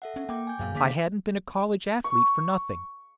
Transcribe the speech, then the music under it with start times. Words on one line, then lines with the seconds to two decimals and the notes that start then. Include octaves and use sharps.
I hadn't been a college athlete for nothing.
0.02 A4 E5 F#5
0.16 C#4
0.29 A#3 G5 D6
0.47 G#5 G6
0.59 F#2 A#2 F#3 G#4 F5
0.75 D3 A#3 D4 G#4 D6 B6
2.04 C#6